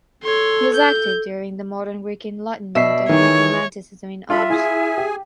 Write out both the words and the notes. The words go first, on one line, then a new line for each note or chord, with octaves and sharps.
He was active during the Modern Greek Enlightenment and Greek romanticism in art.
A4 C#5 C6
G6
B2 D4 E5 B6 C7
D#3 E3 G#4 C#5
D4 F4 A4 E5 B5
E4 G#4 G#5
G4